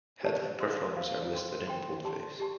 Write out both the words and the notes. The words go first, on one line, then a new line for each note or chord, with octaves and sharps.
Headline performers are listed in boldface.
G4 D5 A5
C5 F5 C6
C5 F5 C6
C5 G5 C6
C5 G5 C6
G4 D5 A5 C6
G4 D5 A5 C6